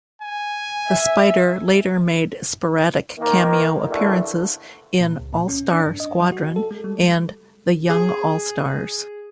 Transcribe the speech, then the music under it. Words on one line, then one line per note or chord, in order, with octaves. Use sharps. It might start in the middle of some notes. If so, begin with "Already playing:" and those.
The Spider later made sporadic cameo appearances in "All-Star Squadron" and "The Young All-Stars".
G#5
E5
D#3 A#3
A#1 D3 E3 A3
A#2
C#2
A#2
C#4
D4
G2
D#5
F#3
F#4
A4
G#3
G3
G#4